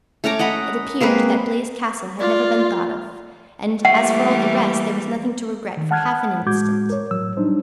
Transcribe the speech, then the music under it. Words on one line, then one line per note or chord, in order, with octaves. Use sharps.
It appeared that Blaize Castle had never been thought of; and, as for all the rest, there was nothing to regret for half an instant.
A3 C#4 A#5 D6
D#5 F#5 A#5 B5
G#3 A#3 C4 B4
F4 D5
E3 G3 A3 A#3 F#5
D#3
F#5 A5 F6 F#6 G#6
A2 G#3 F#4 D6 G6 G#6
A#4 C#5
A2 F#3 E6
F#3 G3 D4 D#4 C5